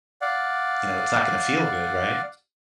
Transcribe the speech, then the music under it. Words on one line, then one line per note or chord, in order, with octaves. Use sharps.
you know, it's not gonna feel good, right?
D5 F5 F#5